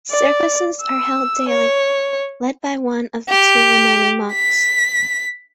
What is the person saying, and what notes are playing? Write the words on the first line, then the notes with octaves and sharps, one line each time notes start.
Services are held daily, led by one of the two remaining monks.
D5
E6
C#5
G4
B6